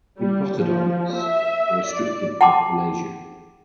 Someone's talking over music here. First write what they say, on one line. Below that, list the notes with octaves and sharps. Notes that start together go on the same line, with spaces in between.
Diprotodonts are restricted to Australasia.
G3
F3
E5
D5
F#5 G5 A5 C6 D6